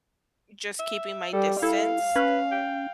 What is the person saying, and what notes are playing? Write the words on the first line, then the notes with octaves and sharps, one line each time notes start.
just keeping my distance.
E5
G3 A4
E4 A4 F5
C#4 B4
G5